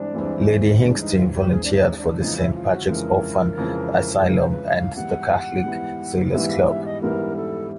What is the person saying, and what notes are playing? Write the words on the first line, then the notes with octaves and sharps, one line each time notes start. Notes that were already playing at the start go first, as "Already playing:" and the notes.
Lady Hingston volunteered for the Saint Patrick's Orphan Asylum and the Catholic Sailors' Club.
Already playing: G2 E3 G#3 C4 D4
G2 E3 G#3 C4
G2 E3 G#3 C4 D4
D#4
F4
G4
G2 E3 G#3 C4 G#4
D4
D#4
D4
F2 C#3 E3 G#3 D#4
E4
F4
F#4
F2 C#3 E3 G#3 A#4
F2 C#3 E3 G#3
A4
F2 C#3 E3 G#3 A#4
C5
B4
F#5
F5
G#2 E3 G3 B3 E4 F#5
G#2 E3 G3 B3 E4
G#2 E3 G3 B3 E4
F5
E5
D#5
G#2 E3 G3 B3 E4 A#4
A4